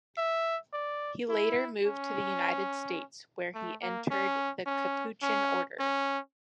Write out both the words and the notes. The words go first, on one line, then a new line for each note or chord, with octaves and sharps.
He later moved to the United States where he entered the Capuchin Order.
E5
D5
E4
C#4
A3
A#3
C#4
C#4
C#4
C#4